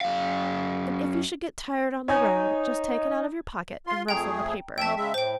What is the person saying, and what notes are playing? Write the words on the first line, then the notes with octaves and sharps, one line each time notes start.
'And if you should get tired on the road, just take it out of your pocket and rustle the paper.'
F#2 F5
D#4 C#5 G#5
F4 C6
F2 A3 G#4 G5 A#5
F2 A3 E5 G5 A5
C#3 G#3 E5
A2 C5 G5